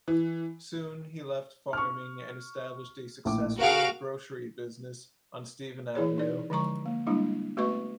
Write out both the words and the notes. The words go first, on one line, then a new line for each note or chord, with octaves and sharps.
Soon he left farming and established a successful grocery business on Stephen Avenue.
E3
C#6 F6
A#1 A2 D6
F#4 G#4 A#4 F5 D7
E3 E4 G#4 C#5
D#4 D5
D3 F3 G#3 A#5 C#6
A#3
G3 G#3 A#3 D4 E4
A3 B3 F#4 B4 D#5 C#6